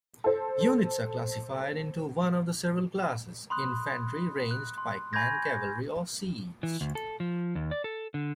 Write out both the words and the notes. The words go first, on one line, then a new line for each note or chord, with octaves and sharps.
Units are classified into one of several classes: infantry, ranged, pikemen, cavalry, or siege.
A4 C5
B5 C6 D#6 F#6
F#6
C6
G#5 B5 C#6 G6 G#6 A#6
E3
D2
A4
F3
D#2
D5
A4
D3